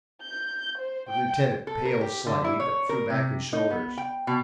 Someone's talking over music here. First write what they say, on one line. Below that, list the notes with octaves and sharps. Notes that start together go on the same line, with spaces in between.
The lieutenant paled slightly, but threw back his shoulders.
G6
C5
G5
A4
A#4
G4
D3
E4
C#5
A#4
C3
D#4
B3
G5
B2